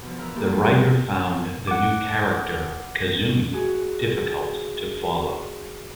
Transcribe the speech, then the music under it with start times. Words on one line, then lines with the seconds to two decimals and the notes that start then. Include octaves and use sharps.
The writer found the new character Kazumi difficult to follow.
0.02 B2 F3
0.18 E3 A#4 B4 E6
0.34 A#3 E4 F4 G4 A4
0.49 F3 G3 G#4
1.67 F#5 D6
3.53 F#4 G#4